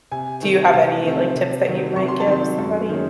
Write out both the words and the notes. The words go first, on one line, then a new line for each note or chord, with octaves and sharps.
do you have any, like, tips that you might give somebody?
C3 G#5
D#3 A3 C4
C3 A5
D#3 A3 C4
C3
D#3 F#3 C4
C3 C#6
C6
A5
D#3 F#3 C4 C6
F#2
D#3 G#3 C#4